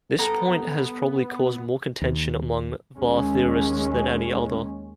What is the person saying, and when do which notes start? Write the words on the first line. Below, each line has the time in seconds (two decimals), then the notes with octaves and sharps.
This point has probably caused more contention among VaR theorists than any other.
0.19 G3 B3 A4 A#5
2.02 D#2
2.98 D#2 G#3 C#4